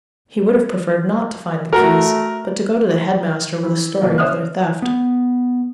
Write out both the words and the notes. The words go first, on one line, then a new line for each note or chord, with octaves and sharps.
He would have preferred not to find the keys; but to go to the head-master with a story of their theft.
A3 F#4 A#4
E3
F2 A#2 A#3
C5 C#5 E5 D#6 F6 F#6
B3